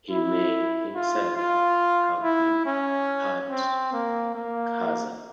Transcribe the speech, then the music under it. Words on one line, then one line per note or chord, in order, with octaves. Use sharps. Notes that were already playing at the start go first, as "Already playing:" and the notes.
He may himself have been part Khazar.
E4
F4
F4
E4
C#4
C4
A#3
A#3